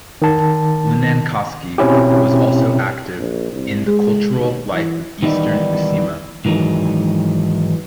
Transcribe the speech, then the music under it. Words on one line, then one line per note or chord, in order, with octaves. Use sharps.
Linnankoski was also active in the cultural life of Eastern Uusimaa.
D#3 A5
B2 C4 C#4 E4 G4
A#1
C2
G#3
D#2
E3
D#3 E3 G3 B3 D#4 E4
G#2 D#3 E3 F#3 G#3